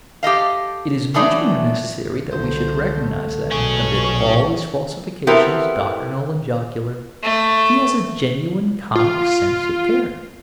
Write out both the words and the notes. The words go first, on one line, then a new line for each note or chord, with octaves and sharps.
It is much more necessary that we should recognize that, amid all his falsifications, doctrinal and jocular, he has a genuine comic sense of character.
G4 A4 D#5 F5
E3 F#3 A3 D4 D#4 D5
C2 D3 A3 C5
B1 B2 C#4 G#4 C#6
B3 C4 E4 G4 A4 A#4
A3
F4